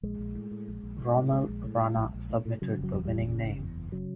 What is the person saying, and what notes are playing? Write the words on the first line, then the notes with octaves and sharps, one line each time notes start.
Rommel Rana submitted the winning name.
A#1 G#3
A#1
A2
A2
A#1
A#1
A2
A2
A#1 G#3
A#1
A2
A2
A#1
A#1
A2
A2
C#3 F#3
F#1 F#3
E2
G3
F#1
C#3
F#1
E2
F#1
C#3 F#3